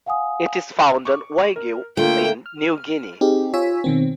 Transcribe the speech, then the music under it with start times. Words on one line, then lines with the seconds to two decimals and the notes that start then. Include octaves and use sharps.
It is found on Waigeo in New Guinea.
0.06 F5 F#5 G#5 D#6
1.05 C#6 D6
1.56 A#4
1.97 D3 A3 A#3 F4 G5
2.46 F6
3.21 C4 D#4 G4 G#4
3.54 F4 C#5 G#5 E6 B6
3.84 B2 D#3 C4